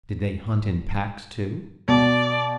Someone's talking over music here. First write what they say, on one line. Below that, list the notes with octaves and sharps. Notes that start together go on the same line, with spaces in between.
Did they hunt in packs, too?
B2 D5